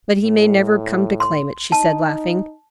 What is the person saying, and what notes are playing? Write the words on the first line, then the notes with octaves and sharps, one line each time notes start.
"But he may never come to claim it," she said, laughing.
A2
C6
D#4 A5